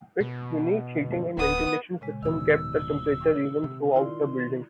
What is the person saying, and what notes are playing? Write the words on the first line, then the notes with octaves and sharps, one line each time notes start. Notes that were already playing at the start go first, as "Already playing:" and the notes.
Its unique heating and ventilation system kept the temperature even throughout the building.
B2
D1 B3 D#6
A#2 C#3 G#3
D1 B2 D#3 D#4 E6
C3
D#3 E4 F4 D5 C6